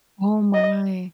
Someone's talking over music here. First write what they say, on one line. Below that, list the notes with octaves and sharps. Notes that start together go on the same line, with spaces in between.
Oh my.
D#5